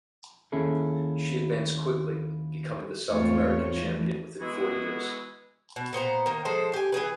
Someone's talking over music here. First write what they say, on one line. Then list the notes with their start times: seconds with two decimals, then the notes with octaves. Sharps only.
She advanced quickly, becoming the South American champion within four years.
0.52 D#2 C#4 E4 G#4 A4
3.10 E2 G#2 A3 C4 F4 C#5
3.74 E3 A3
4.41 E3 G#3 B3 E4 F#4 G#4
5.76 B2
5.93 A#2 B3 C5 A#5
6.26 D#3 A#3
6.45 F3 G#3 A4 C5
6.73 G4 G#5
6.92 E3 G#3 G#4 B4